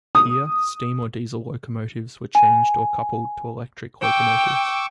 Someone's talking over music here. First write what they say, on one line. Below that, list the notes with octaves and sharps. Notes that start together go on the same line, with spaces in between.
Here, steam or diesel locomotives were changed or coupled to electric locomotives.
D#6
G#5
G5 C#6 D6 E6